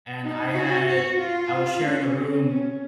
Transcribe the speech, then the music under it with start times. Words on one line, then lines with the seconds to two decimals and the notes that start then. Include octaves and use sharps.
and I had I was sharing a room
0.23 D#4
0.54 F#4
0.87 F#4
1.20 F4
1.84 C#4
2.16 C4
2.48 C#4